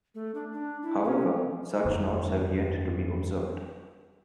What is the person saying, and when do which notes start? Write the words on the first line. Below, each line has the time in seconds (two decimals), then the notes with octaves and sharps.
However, such knots have yet to be observed.
0.15 A3
0.35 D4
0.53 D4
0.82 E4
1.04 C#4
1.85 G1 F2 D#3 A#3